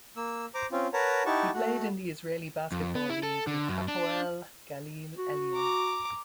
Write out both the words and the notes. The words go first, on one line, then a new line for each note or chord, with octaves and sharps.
He played in the Israeli Basketball League with Hapoel Galil Elyon.
A#3 E6
C5 A#5 D6
C4 C#4 F4
A#4 B4 C#5 F#5 A5 A#5
D#4 E4 G4 F#5 A5 C#6
A3 F#4 F#5
F2
B3
E4
A4
D3
F#2
D4
F#4
A#5 D6